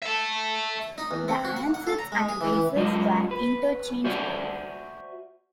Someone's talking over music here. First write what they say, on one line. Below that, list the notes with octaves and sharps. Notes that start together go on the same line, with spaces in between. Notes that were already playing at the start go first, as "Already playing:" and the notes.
The handsets and bases were interchangeable.
E5 A5
D#4
E2
C4
F#4
F#5
F#5
A4
A#5
G#3
G#4
E3
E3
F#2 G#3 F4 D#5
B4
F#4 C5 D5 E5 F#5 G#5